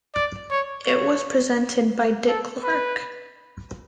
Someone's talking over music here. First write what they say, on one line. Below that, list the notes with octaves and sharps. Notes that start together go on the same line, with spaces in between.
It was presented by Dick Clark.
D5
C#5
C#5
A4
B4